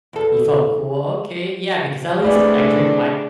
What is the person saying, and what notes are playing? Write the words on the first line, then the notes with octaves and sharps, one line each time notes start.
You felt cool? Okay, yeah, because at least I dreamed, I
E2 A4
A3 C4 D4 E4 G4 G#4 B4 D5